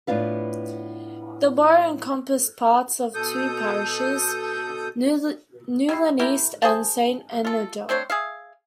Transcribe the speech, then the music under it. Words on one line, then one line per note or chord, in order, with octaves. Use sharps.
The borough encompassed parts of two parishes, Newlyn East and Saint Enoder.
A2 B3 D4 F4 B4
B2 A4 D#6 G6
G3 E4 C6
E4 G4 A#4
G#4 C5 A5
F4 A4
C4 D4 C5 C#5
G#4 E5 F5